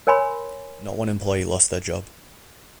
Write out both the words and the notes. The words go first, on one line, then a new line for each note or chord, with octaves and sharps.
Not one employee lost their job.
A#4 C#5 G#5 B5 C6